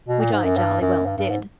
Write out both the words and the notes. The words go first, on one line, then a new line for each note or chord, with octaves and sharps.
Which I jolly well did.
B2
A#2
G#2
F#2
G2
F#2
G2
G2
G#2